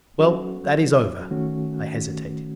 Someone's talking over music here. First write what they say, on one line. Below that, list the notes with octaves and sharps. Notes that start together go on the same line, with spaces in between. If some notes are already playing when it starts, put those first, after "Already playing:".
"Well, that is over." I hesitated.
F#3 C#4 F#4 A4
D#3 A3 C#4 F#4